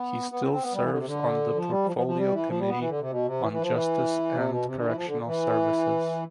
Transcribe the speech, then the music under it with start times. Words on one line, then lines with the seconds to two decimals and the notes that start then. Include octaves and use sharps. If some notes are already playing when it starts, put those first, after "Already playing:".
He still serves on the Portfolio Committee on Justice and Correctional Services.
Already playing: B3
0.31 B3
0.42 C4
0.52 C4
0.62 B3
0.73 G3
0.82 E3
0.90 D3
0.98 C3
1.07 D3
1.55 F3
1.70 G3
1.86 F3
1.96 F3
2.07 F3
2.18 G3
2.32 E3
2.48 F3
2.59 G3
2.68 B3
2.79 E3
2.89 D3
3.00 C3
3.10 B2
3.26 C3
3.41 E3
3.52 E3
3.61 F3
3.72 E3
4.34 C3
4.50 B2
4.65 C3
4.76 D3
4.85 E3
4.95 F3
5.07 D3
5.26 E3